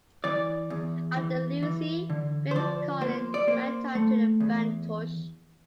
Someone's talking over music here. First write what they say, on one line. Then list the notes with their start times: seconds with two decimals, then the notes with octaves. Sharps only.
After Lucy, Phil Collen went on to the band Tush.
0.24 E3 D5
0.70 E2
1.16 E3
1.63 E3
2.10 D3
2.51 C5
2.55 F3 D5
3.01 A#3 C5
3.34 D5
3.47 A#3 C5
3.95 A3
4.40 E2